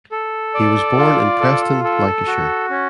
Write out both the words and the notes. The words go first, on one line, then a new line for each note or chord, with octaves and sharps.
He was born in Preston, Lancashire.
A4
D5
F4
A4
A4
F#4
C#4